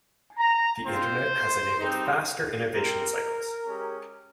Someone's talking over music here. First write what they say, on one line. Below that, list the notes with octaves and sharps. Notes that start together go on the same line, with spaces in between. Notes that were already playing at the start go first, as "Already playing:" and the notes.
The internet has enabled faster innovation cycles.
A#5
C4 F4 C5
G3 C4 D#4
C4 G4 A#4
G#3 C#4 G4